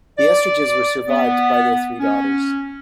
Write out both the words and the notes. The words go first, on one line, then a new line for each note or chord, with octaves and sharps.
The Estridges were survived by their three daughters.
D5
B3
C#4